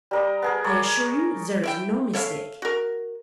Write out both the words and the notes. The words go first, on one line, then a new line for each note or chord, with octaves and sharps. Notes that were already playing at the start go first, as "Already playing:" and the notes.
I assure you there is no mistake. . . .
G3 A#4 D#5
B3 G#4 A#4
A#3 C#5 D5 G#5
E4 E5 G5
A4 C#5 E5 F5
F#4 A#4